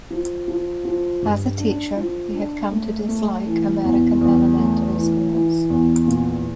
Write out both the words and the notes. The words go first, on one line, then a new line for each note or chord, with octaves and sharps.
As a teacher, he had come to dislike American elementary schools.
F3
F3
F3
G2
D4
F3
D4
A3
A3
E3
E2
E2
A3
E3
E3
E2
A#2